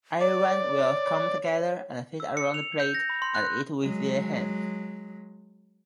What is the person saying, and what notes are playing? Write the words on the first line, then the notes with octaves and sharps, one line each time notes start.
Everyone will come together and sit around the plate and eat with their hands.
C#5 D5
E6
C#7
F7
G6
A#6
B5
C6
F#6
F#3 G#3